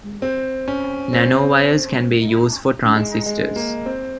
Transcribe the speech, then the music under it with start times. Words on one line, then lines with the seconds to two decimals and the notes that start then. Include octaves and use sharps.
Nanowires can be used for transistors.
0.22 C4
0.68 C#4
1.13 C4
2.96 G#3
3.26 G#3
3.56 A#3
3.86 C4